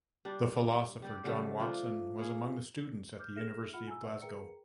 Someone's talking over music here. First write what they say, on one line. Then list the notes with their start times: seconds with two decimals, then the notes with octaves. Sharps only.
The philosopher John Watson was among his students at the University of Glasgow.
0.25 G3 D4
1.02 G3 G4 D5
1.24 C#3 F#3 G3 A3
1.60 F3 D4 D#4
2.19 A#3 G#4
3.19 D6 F6 G6
3.35 G#4 A4 E5 F6 A#6 E7
3.73 F4 E5 F#5 B5 F6 C#7
3.88 G#5 A#5 E6
4.03 B4 D5 E5 F#5 E6
4.22 G#4 A#4 B4 G5 A#5 C#7